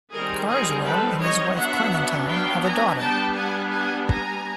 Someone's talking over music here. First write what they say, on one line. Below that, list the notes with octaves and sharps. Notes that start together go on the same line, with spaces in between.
Carswell and his wife Clementine have a daughter.
D#3 G3 C4 G#4 A#4
G#4 A#4
A4 B4
C#5 D#5
F#3 B3 D4 E5 F#5
F5 G5
G#5 A#5
G3 B3 D4 G5 A5
F#5 G#5
F#5 G#5
G#5 A#5